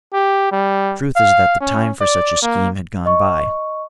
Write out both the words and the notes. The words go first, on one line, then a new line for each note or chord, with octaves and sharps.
The truth is that the time for such a scheme had gone by.
G4
G3
F5
C#4
D5
A#3
D#5 C#6